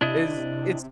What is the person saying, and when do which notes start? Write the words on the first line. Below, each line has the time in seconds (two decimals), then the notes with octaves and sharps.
Is it's
0.01 C3 D4 E4 D#5